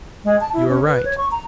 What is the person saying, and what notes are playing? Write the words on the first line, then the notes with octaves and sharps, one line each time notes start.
You are right.
G#3
A5
E4
C#4
B4
C#5
C#6
A#5